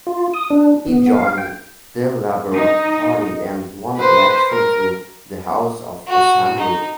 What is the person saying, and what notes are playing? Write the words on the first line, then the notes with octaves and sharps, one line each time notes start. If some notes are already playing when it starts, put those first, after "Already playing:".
He joined the Labour Party and won election to the House of Assembly.
F4
D#6
D4
B3
F5
G5
D#4
B4 C5
A#4
F#4
D#4